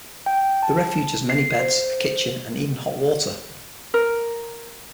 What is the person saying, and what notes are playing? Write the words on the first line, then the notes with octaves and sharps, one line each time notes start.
The refuge has many beds, a kitchen, and even hot water.
G5
A5
C7
C5
A#4